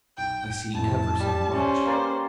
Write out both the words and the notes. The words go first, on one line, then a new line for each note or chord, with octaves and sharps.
I see ever so much.
B1 G5
F2 A2 A5
G3
C#4 C5 D5 E5 G#5
A#3 B4 D5 C6